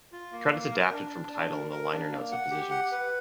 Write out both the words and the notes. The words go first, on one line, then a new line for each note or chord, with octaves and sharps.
Credits adapted from Tidal and the liner notes of "Positions".
F4
A#3
A#3
A#4
D4
D4
D4
A#4
A#4
D4
A#3
F#5
G4
F#5
B4